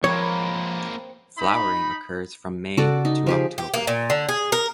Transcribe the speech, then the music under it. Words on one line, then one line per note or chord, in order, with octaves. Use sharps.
Flowering occurs from May to October.
F3 G#3 A#3 C4 A#4 B4 C#5
D#4 B5
C#3 F#4 A4 D5
D#4
F3 G4 G#4
G4
A#3
A#2
D3
G#4
A#4